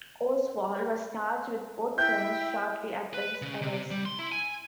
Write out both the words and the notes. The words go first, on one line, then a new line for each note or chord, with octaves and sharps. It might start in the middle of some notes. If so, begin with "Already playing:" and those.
Oswald was charged with both crimes shortly after his arrest.
E4 E5 G5 G6
B4
C#3
C3
G3
C6
E4
G#5